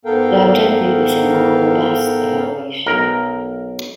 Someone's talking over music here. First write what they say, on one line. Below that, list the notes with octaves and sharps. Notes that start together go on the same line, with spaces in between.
The objective is a more robust evaluation.
G#2 B3 A4 A#4 F5 G5
B1 A#4